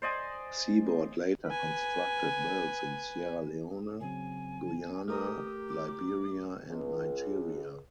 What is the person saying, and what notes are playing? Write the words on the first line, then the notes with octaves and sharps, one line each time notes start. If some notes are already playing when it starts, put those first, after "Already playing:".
Seaboard later constructed mills in Sierra Leone, Guyana, Liberia and Nigeria.
C5 D5 D#5 G#5
B4 G#5
C#3 F#3 C4 G#5
A3 G4 A#4 A#5 D#6 F6
D6
C#2